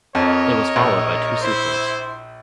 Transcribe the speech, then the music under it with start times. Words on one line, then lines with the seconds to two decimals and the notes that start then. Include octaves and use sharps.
It was followed by two sequels.
0.15 F2 A#4 C#5 D#5
0.76 A#1
1.42 E4 C5